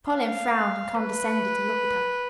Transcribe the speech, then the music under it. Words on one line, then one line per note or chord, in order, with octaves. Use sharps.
Colin frowned and condescended to look at her.
F5
B4